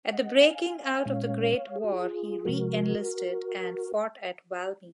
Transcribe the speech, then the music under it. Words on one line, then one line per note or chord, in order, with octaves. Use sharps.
At the breaking out of the great war he re-enlisted and fought at Valmy.
D#5 F#5
F5 G#5
A#2 G#3 C#4 C#5 F5
G#4
F#4
F4 G#4
C3 F3 G#3 F#4 A#4